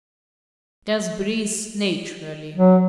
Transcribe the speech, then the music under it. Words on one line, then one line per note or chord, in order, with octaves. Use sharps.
"Just breathe naturally."
F#3